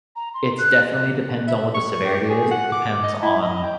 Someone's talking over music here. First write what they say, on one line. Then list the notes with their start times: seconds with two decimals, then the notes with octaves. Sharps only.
it's definitely depends on what the severity is, it depends on
0.16 A#5
0.34 C6
0.58 F#6
1.47 E5
1.74 C#6
2.04 G4
2.30 G#4
2.51 F#5
2.72 D6
3.03 D#5
3.23 E4
3.42 D#5
3.63 G5